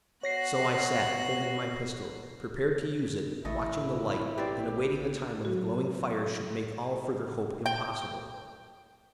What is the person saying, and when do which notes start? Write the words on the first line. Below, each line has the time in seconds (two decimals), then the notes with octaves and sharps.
So I sat, holding my pistol, prepared to use it, watching the light, and awaiting the time when the glowing fires should make all further hope impossible.
0.23 B3 F#4 C#5 F#6 A#6 C7
3.45 A1 A3 E4 D#5
4.38 C4 G4 B4 D5
5.45 F#3 F#4
7.66 G5